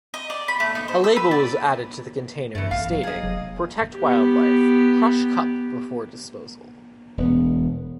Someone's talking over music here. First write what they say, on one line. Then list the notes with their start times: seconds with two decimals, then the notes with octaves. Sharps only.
A label was added to the container stating: Protect Wildlife: Crush Cup Before Disposal.
0.14 D#5
0.30 D5
0.48 B5
0.60 A3
0.75 D#4
0.88 C5
1.04 E6
1.16 B4
1.31 D5
2.55 G2 E3 A3
2.71 A1 F5
2.90 F#3
3.03 G#4 D#5
3.23 F1
3.96 B3 G4
7.18 E1 B3